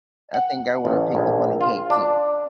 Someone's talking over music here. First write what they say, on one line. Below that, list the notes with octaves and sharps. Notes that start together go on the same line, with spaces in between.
I think I would've picked the funnel cake too.
F#5
A1
A#1
F4
D4